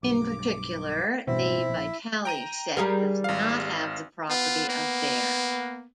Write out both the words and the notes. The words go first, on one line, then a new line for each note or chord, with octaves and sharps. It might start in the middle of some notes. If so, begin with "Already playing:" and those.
In particular, the Vitali set does not have the property of Baire.
B1 G2 D6
A1 G2 B2 C4 E4 E5
A#1
G5 A#5 D#7
G3 G#4 A#4
G#1 F5
B3 F4
A#3